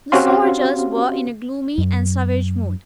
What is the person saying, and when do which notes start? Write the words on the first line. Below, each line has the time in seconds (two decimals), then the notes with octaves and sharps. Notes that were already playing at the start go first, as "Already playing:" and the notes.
The soldiers were in a gloomy and savage mood.
0.12 C4 C#4 F#4 G4 F5 C6
1.78 F#2